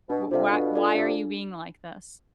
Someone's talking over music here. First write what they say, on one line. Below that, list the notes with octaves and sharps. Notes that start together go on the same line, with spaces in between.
Wh why why are you being like this?"
B2 D4
C3 F4 A4 D5 F5
B2 D4
F4 A4 D5 F5
C3 D4